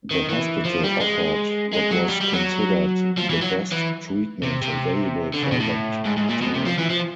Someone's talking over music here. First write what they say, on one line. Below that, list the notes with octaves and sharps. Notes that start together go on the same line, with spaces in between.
The hospital offered what was considered the best treatments available for that time.
D#3
E3
F3
G3
G#3
G#3
F#3
G3
G3
F#3
F3
E3
F#3
E3
C3
C3
D3
C#3
B2
A2
G#2
G#2
A#2
B2
C3
F3
E3
F3